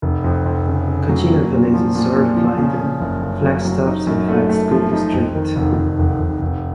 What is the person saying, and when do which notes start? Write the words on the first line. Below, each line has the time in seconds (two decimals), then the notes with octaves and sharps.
Kachina Village is served by the Flagstaff Unified School District.
0.02 F1
0.24 F2
0.46 F2
0.66 C#3
0.88 C#3
1.09 F#3
1.30 A#3
1.52 A#2
1.74 F3
1.95 A#2
2.15 A#2
2.37 F3
2.58 C#3
2.80 C#3
3.01 F#1
3.22 C#3
3.44 F#3
3.65 F#3
3.86 D#4
4.07 F#2
4.28 A3
4.49 A3
4.71 F3
4.93 D#4
5.14 F2
5.34 D#3
5.56 F1
5.78 F1
5.99 F1
6.20 F1
6.42 F1